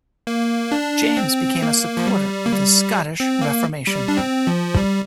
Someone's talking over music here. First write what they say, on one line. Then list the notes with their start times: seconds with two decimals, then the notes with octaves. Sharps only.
James became a supporter of the Scottish Reformation.
0.27 A#3
0.72 D4
1.17 C4
1.62 A#3
1.97 F3
2.07 G3
2.46 A#3
2.52 G3
3.20 C4
3.41 A#3
3.87 G3
4.08 D4
4.17 C4
4.47 F3
4.77 G3